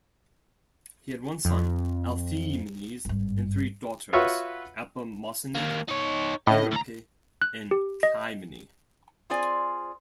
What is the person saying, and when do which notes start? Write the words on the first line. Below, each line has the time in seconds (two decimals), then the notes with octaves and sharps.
He had one son, Althaemenes, and three daughters, Apemosyne, Aerope and Clymene.
1.45 F2
3.05 G#1 G2
4.13 F4 F#4 B4 C#5 E5
5.55 D#2 A#3
5.88 D#4 C#5
6.47 A2 D#5
6.72 D2 A#5
7.42 F#6
7.71 G4
8.03 D#5
9.30 C4 F4 G#4 C5 D5 G#5